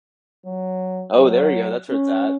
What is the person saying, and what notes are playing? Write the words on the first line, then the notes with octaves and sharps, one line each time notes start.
Oh, there you go, that's where it's at.
F#3
F#3
C#4